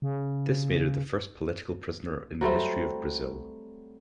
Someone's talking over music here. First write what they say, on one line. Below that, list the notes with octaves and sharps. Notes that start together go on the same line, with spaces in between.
This made her the first political prisoner in the history of Brazil.
C#3
F#3 G3 A3 C4